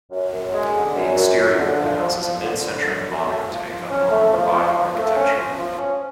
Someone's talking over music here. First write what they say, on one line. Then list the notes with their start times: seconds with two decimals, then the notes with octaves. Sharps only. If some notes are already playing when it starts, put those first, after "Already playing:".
The exterior of the house is a mid-century modern take on Norman revival architecture.
0.10 F#2
0.31 F#2
0.52 G#3
0.73 D3
0.95 F#2
1.15 F#2
1.37 F#2
1.57 D3
1.79 F3
1.99 F3
2.20 F3
2.42 D3
2.63 D3
2.83 F#2
3.04 F#2
3.25 A3
3.47 F3
3.68 F3
3.89 C#4
4.09 A3
4.31 F3
4.51 F3
4.73 F3
4.94 A3
5.14 C#4
5.36 F3
5.57 F3
5.78 C#4